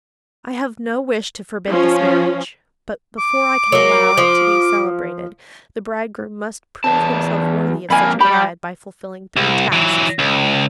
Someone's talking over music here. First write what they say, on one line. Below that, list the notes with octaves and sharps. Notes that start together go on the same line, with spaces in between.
'I have no wish to forbid this marriage; but, before I can allow it to be celebrated, the bridegroom must prove himself worthy of such a bride by fulfilling three tasks.
F3 C#4
D6
F#3 A#3
F3
E2 A5
F2 A#3 G#5 B5
G3 G4 B5
C2
E3 F#3
C#2